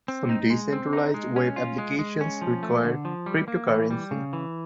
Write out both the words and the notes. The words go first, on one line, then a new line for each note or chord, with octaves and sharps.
Some decentralized web applications require cryptocurrency.
C4
D#4
G#3
C4
D#4
G#3
C#4
F4
G#3
G#3
C#4
F3
A3
D3
F3
G3
A#3
E3
G3
C#3
E3